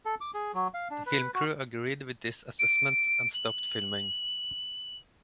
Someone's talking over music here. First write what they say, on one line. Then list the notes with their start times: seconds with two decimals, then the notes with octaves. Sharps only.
The film crew agreed with this assessment and stopped filming.
0.06 A4
0.21 D6
0.34 G#4
0.54 F#3
0.74 F5
0.90 D4
1.06 B4
1.35 F#4
2.59 D7
3.34 F#7